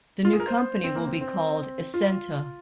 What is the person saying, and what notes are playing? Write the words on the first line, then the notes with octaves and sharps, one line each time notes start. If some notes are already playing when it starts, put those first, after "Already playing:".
The new company will be called Essenta.
F4
G#4
A#4
C5
C4
A#3
C4
C4
F4